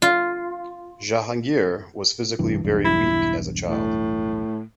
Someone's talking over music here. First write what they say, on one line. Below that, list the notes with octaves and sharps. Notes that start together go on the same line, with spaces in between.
Jahangir was physically very weak as a child.
F4
C2 G2 E3
B1 E2 G2
E4
A2